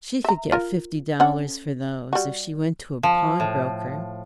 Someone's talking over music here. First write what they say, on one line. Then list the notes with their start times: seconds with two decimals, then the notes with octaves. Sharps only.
She could get fifty dollars for those if she went to a pawnbroker.
0.24 E5 A#5
0.52 F4 A#4
1.20 C#4 A4 F#5
2.13 G3 F#4
3.03 F3
3.40 A2